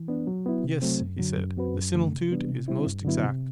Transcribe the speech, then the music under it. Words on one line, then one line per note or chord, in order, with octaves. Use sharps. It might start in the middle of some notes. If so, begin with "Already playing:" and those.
Yes, he said, the similitude is most exact.
Already playing: E3
B3 D4
F#3
B3 E4
C3
F#3 A3 C4
F#2
D3 F#3
F#2
F#3 C4 F#4 B4
F#2
D3 A3
C3
E3 G3 B3 D4
C3
G3 C4 E4
G2
D3 F#3 B3 E4
C3